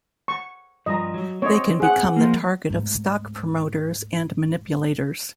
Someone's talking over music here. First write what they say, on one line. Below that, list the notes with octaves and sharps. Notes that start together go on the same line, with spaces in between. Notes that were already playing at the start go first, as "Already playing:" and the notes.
They can become the target of stock promoters and manipulators.
C#6
G2 F3 D#5 A#5
F#3
C4 C#5 D#5
G#4 F#5
F3 A#3
D1 G#2